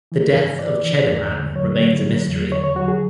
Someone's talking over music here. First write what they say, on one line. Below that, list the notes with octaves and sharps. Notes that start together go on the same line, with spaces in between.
The death of Cheddar Man remains a mystery.
E3
G#2
E3 D5
E3
E2
D3
F#3 C#5
D3
F#3
E2
D3 C#5
C#5
F#3 F#4
G#4